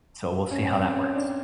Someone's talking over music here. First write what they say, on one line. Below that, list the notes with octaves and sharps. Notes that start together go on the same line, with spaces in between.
So, we'll see how that works.
C#4
C4
C#4
D4